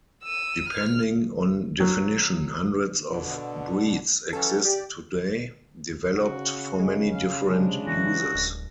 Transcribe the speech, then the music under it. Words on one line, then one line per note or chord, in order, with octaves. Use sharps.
Depending on definition, hundreds of "breeds" exist today, developed for many different uses.
E6 D#7
F6
F#3
B2 D3
E3 F#3 C#4 A4
G4 D5
C#3 F#4
G#3
F5
C3 G#3 D4
E3 F#4
D1